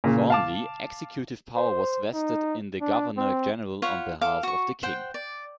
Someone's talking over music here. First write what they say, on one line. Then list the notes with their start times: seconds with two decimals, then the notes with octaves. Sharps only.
Formally, executive power was vested in the Governor-General on behalf of the King.
0.04 A#2 C#3
0.30 F5 A5 D6
1.56 C5
2.13 D#4
2.81 D4
3.17 C4
3.82 F4 C#5 F#5 B5
4.21 A4 F5 D6
4.43 F#4 C#6
4.83 C5 F#5 G5
5.14 D5